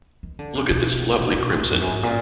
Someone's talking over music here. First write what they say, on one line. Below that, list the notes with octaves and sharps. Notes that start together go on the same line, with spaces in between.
Look at this lovely crimson!
D#3
D3
C3
B2
B2
B2
A2
F#2
F2
F#2
A2
G#2
A#2